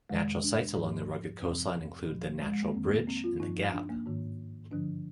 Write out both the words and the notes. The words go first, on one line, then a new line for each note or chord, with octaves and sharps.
Natural sights along the rugged coastline include the 'Natural Bridge' and the 'Gap'.
F2 C3 D#3 G#3
D4
G#2 F3
F2 C3 F3 C4
A#2 F3
G#3
G#3
A#3
F2 D#3 C4
A#3
C4
F4
G2 F3 D#4
D#4
D4
A#3
G#2 D#3
G2 D3 F3 D4